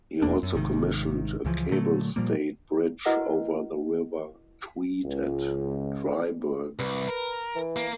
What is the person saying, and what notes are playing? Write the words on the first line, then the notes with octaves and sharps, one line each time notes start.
He also commissioned a cable-stayed bridge over the River Tweed at Dryburgh.
E1 E2 A#3 D4
F#2
G#1 G#2 C3 D#3
C#2 C#3 E3 F3
A#2 D3 F#3 A3
A#2 F3 G3 A#3
E4 F#4 A#4 B4 D#5 F#5
C#2
C2 B4
A#4
E3
A#3